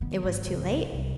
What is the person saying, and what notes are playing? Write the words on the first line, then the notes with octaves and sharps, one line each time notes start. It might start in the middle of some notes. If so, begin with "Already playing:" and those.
"It was too late?"
D#3 B3
G#1
C#2
C2